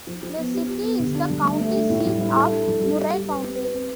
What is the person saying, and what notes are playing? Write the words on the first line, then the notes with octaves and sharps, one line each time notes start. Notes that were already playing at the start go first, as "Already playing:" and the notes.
The city is the county seat of Murray County.
F3
F3
B3
G4
G4
B3
D3
D4
G3
A3
A3
D4
A2
G3
E4
A4
D4
G3
G4
G4
G4
B4
C4
B4
C4